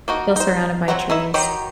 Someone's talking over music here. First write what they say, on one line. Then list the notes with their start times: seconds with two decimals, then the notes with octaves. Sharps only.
Still surrounded by trees.
0.08 A#3 D#4 F#4
0.36 D#4 C5
0.88 F#3 C4 F#5 A#5
1.10 D#4 E4 E5
1.34 D#3 F#3 D#4 G4 A#5